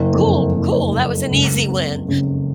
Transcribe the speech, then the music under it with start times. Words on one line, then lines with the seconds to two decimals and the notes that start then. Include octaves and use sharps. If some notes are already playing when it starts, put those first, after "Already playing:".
Cool, cool. That was an easy win."
Already playing: F#1
0.14 F2
0.53 F#1
0.92 F#1
1.31 C#2
1.69 C4
2.08 C#3